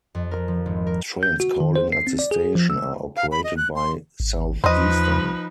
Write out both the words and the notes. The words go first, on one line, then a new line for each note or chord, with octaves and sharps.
Trains calling at the station are operated by Southeastern.
F2
A#4
F3
G#1
A#4
G6
F#4
D#3
C5
C7
C4
D5
G#4
F3
E6
F5
B5
D#5
F#6
C6
G#1
E2 F3 D#4 B4 C5 D#5